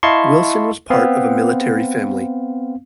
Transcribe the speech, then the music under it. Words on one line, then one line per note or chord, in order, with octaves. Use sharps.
Wilson was part of a military family.
E4 D#5 F5 A5 C6 C#6
B3 C4 F5